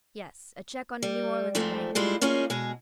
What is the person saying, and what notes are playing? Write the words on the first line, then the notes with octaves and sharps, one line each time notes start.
"Yes, a check on a New Orleans bank."
G3
F2 G#2 F3 A3 C4
G3 G#3 E4 F4
A#3 C#4 D#4 F4 G#4
B2 G#3 G#4